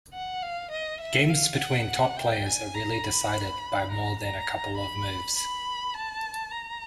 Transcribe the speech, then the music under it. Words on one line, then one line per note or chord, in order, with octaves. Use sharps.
Games between top players are rarely decided by more than a couple of moves.
F#5
F5
D#5
E5
F5
F#5
G5
G#5
A#5
B5
A#5
A#5
B5
B5
A5
A#5